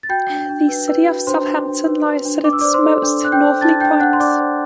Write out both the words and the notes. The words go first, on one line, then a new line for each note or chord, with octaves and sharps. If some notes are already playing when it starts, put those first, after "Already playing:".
The city of Southampton lies at its most northerly point.
A6
F#4 G5 G6
D4
D4
B4
B4
F#4
D4 C5 C6
D4
D4
B4
B4
D4
D4 D6
E6
C5 D5 D6
C5 C6
A4
D4
D4 F#6
G5 G6
C5
D4 A5 A6
D4 G5 G6
D4 F#5 F#6
C6
D4 D5 D6
C5